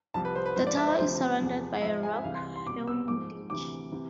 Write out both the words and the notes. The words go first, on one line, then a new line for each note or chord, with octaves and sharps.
The tower is surrounded by a rock-hewn ditch.
C2 C3 F3 A5
B4
C5
B4
G#2 F3 C5
D5
E5
C5
D2 C3 F3 C5
E2 C3 F3
G#2 F3 E5
G#5
E5
C2 C3 E3 F5
C6
C6
C2 B2 D6
E6
G#2 F3 D6
D2 C3 E3 D6
C3 E3